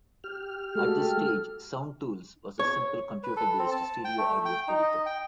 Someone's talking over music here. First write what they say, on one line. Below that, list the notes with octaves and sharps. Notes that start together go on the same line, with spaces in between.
At this stage Sound Tools was a simple computer based stereo audio editor.
G4 F6
G#3 A3 F#4 G4 A4 F6
C#5
B4
A4
C4
A5
G5
A3
G5
D#4
D#5
G5